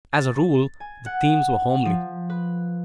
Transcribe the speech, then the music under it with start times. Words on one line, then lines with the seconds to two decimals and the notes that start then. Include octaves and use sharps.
As a rule the themes were homely.
0.13 A6
0.80 G#5
1.06 F#5
1.85 F3
2.30 B4